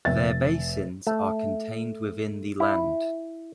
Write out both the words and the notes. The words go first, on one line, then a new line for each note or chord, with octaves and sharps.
Their basins are contained within the land.
F1 E5 A6
A3
E4